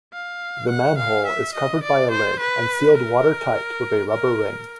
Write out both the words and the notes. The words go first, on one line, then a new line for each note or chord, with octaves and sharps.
The manhole is covered by a lid and sealed watertight with a rubber ring.
F5
F#5
F5
E5
D#5
D5
C5
B4
A#4
A#4